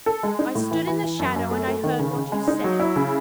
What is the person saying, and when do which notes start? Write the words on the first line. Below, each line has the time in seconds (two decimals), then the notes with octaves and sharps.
I stood in the shadow, and I heard what you said.
0.06 A4
0.23 G#3
0.39 D#4
0.55 A2
0.71 E3
0.87 E3
1.03 E3
1.19 F#2
1.36 F#2
1.51 A3
1.68 A3
1.84 D#3
1.99 C#3
2.16 C#3
2.32 G#3
2.48 D#4
2.64 F#3
2.80 E4
2.96 C#3